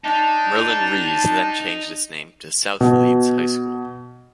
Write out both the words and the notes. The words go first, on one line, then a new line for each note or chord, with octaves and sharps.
Merlyn Rees then changed its name to South Leeds High School.
D4 D#4 G5 A5
B2